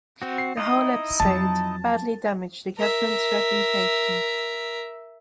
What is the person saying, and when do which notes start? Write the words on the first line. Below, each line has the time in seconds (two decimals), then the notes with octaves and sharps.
The whole episode badly damaged the government's reputation.
0.22 C4 F#4
0.38 C7
0.57 D#4 E4 D#5
1.20 F2 F#3 A5
2.78 A#4 E5